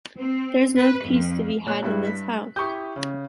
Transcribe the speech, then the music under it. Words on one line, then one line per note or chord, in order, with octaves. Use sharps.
There’s no peace to be had in this house!
C4
B4
F2
A#2 C#5 F#6
G2 G3 E4 F#6
B6
E4 G4 C#6 D#6 G6
C#3